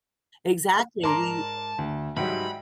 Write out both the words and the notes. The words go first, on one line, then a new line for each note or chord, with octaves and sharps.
Exactly, we
G#2 A#4 D5 A5 A#5 C6
D2
G#2 F#3 G3 E5 F#5 G5 B5